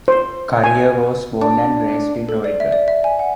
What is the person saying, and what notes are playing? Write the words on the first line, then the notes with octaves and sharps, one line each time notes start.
Currier was born and raised in Oregon.
C5
G#5
D4
A4
D5
E5
D5
E5
G#5
F#5